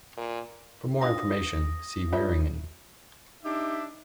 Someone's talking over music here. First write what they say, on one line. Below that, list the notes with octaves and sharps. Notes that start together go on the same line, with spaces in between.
For more information see Wieringen.
A#2
C4 D4 F4 D#6 A#6
D4 F4 C#5 E5
D4 D#4 G4 E5